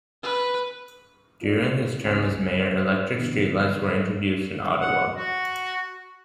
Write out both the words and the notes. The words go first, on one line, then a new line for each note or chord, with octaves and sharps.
During his term as mayor, electric street lights were introduced in Ottawa.
B4
F4 A4 D5
C#2 C4 G#5
C5
B2 D3 E3 B3
A4 B4
F#5
F#4